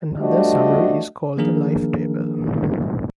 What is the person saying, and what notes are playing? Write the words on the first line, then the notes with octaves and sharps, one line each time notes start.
Another summary is called the life table.
F3 G3 A3 D4 F#4 D#5
D#3 F3 A#3 D4 G#4 A#4